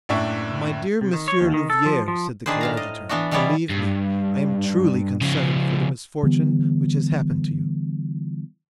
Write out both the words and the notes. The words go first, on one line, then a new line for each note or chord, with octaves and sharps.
"My dear Monsieur Louvieres," said the coadjutor, "believe me, I am truly concerned for the misfortune which has happened to you."
F#1 A2 D4 E5 C#6
C3
D#3
C#5
D#2
D#3
A4
F3
F3
D#3 D4 G#4 B4 C5
A2 F5 A#5
D#5
E3 B3 D4 F#4
B2 E3 G3 B3 C#5 D5
G2
C#3 F3
D3 E3 G3 B3